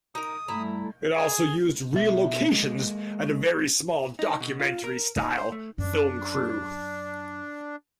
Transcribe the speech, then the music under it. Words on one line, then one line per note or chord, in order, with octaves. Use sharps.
It also used real locations, and a very small documentary-style film crew.
D#4 A#4 D#6
G2 A3 E4 E5 A#5
G#4
B2 E5
G#3 A#3
D#4
B2
F4
A#4
D#4
C5
A3
F#2 F#3 D4